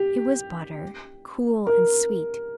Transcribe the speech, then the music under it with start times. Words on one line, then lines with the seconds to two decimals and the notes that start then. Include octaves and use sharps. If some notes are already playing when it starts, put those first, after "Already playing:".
It was butter, cool and sweet.
Already playing: G4
1.67 A#4